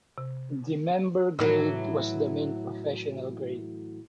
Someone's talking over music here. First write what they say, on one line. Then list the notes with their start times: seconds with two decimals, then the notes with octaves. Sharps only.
The Member grade was the main professional grade.
0.18 C3
1.39 A2 E3 F#3